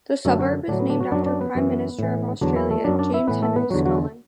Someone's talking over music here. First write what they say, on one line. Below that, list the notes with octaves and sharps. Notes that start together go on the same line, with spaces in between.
The suburb is named after Prime Minister of Australia James Henry Scullin.
F#2 D3 F#3 A3 A4
F#3 F#4
A2 D3 F#3 D4
B3
D3 D4
F#3 F#4
F#2 F#3 D4 D5
D4 D5
B3 B4
F#2 E3
A2 E3
E2 D3 F#3 D4
E3 E4
A3 A4
F#2 F#3 D4 D5
D4 D5
E4 E5
A2 E3 B3 B4
A3 A4
B3 B4
E2 D3 F#3 F#4
F#3 F#4